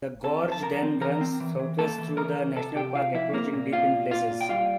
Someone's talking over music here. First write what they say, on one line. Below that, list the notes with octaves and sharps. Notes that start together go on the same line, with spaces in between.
The gorge then runs southwest through the national park, approaching deep in places.
C4 A4 A5
F3
A5
F3 A#4 A#5
C4
E3 A#4 A#5
C4
E3
E3
A#3 A4 A5
E3
E3 A#4 A#5
E3
C3 A4 A5
C3 G4 G5
C3 F4 F5
F3 E4 E5
A#3 C4 A#4
A#2
C4 F4 F5
A#2
A#2 F4 F5
A#2
G5
G3 F4 F5